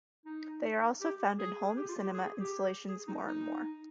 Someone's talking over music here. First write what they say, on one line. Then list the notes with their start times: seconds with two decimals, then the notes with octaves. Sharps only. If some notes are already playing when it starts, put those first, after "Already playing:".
They are also found in home cinema installations more and more.
0.25 D#4
1.01 G4
1.38 G#4
1.77 G4
1.88 F4
2.01 G4
2.14 G#4
2.26 G#4
2.39 G4
2.88 G#4
3.07 D#4
3.27 D#4